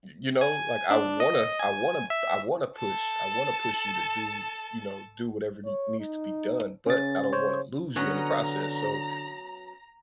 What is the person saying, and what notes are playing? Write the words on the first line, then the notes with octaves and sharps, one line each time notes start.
you you know, like I wanna I wanna I wanna push I wanna push you to do, you know, do whatever n needs to be done, but I don't wanna lose you in the process, so,
G#5
D4
D#5
G#5
E5
A4 A5
C#5
D#4
C#3 C#4 A6
C#3 C5 C#5
D3 F#3 B3 C#4 A#5